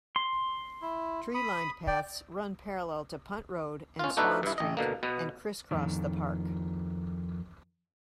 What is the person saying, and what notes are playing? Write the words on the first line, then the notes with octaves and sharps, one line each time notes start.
Tree-lined paths run parallel to Punt Road and Swan Street, and criss-cross the park.
C6
E4
B5 D#6
D5 G5
C#4 F4
A3 D4 D#4 F#4 A4 B4
G2 E4
A1 D#5
B2 D3 A#3
B2 B3
F2 D#3